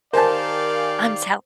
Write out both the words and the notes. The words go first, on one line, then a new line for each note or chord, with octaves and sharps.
I'm so
D#3 G4 A#4 C5 D5 F5 G#5 A5